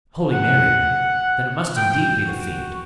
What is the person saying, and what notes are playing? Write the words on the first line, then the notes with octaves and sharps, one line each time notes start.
Holy Mary! then it must indeed be the fiend.
F#5
G5
F#4